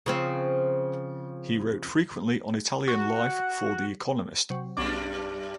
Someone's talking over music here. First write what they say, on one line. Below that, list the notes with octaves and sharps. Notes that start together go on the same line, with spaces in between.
He wrote frequently on Italian life for "The Economist".
C#3 F3 C4
F#4
C3 F#3
B1 F#2 G3 C#4 D4 D6